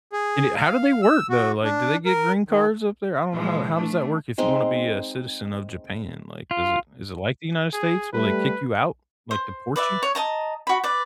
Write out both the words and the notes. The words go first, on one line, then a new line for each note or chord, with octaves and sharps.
And, eh, how do they work, though? Like, do they get green cards up there? I don't know how how does that work if you want to be a citizen of Japan, like, does it is it like the United States? Will they kick you out, like deport you?
G#4
F5
E6
F#4
D4
A#4
D#3
A#2 E3 F3 G#3
A3 D4
G#3 C4 D#4
F4
G#4
G3 A3 B4
C5
B4 D5 E5
C#5
D#5 A5 A#5
F#4 B5
B4 D5